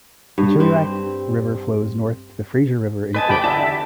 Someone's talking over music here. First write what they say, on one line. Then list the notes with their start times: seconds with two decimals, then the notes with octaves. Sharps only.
The Chilliwack River flows north to the Fraser River in Canada.
0.38 G2
0.60 C4
3.14 A4 B4 D#5 G#5 A5 D#6
3.29 F#1 G4 G5 B5
3.44 E2 D3 E4 D5 E5 A5